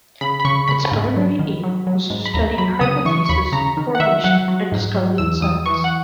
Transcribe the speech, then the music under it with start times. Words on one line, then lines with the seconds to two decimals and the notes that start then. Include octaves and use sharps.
Its primary aim was to study hypothesis formation and discovery in science.
0.21 C#3 B5
0.40 B5
0.45 C#3 C#6
0.68 C#3 B5
0.92 G#2
1.16 F#3
1.39 D#3
1.64 F#3
1.87 F#3
2.10 G#2
2.26 B5
2.34 D#2 A#5
2.58 F#3 B5
2.81 C#3 D#6
3.05 E3 C#6
3.26 C#6
3.29 D#2 B5
3.52 C#3 A#5
3.77 D#3
3.95 F#5
4.00 D#3 E5
4.24 F#3 F#5
4.48 F#3
4.72 G#2
4.95 F#3
5.18 E2 E6
5.42 E2 D#6
5.66 E3 C#6
5.84 F#5